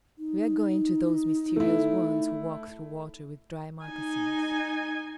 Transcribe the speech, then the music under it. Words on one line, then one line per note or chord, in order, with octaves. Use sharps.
We are going to those mysterious ones who walk through water with dry moccasins.
D#4
A3 E4
D#4 G#5